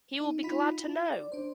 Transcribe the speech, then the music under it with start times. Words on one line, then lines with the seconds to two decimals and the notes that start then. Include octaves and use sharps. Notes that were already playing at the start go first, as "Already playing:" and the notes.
He will be glad to know!
0.20 D#4
0.43 D#4 F4 B5 B6
0.80 E4 F4
1.12 D5
1.32 D4 C5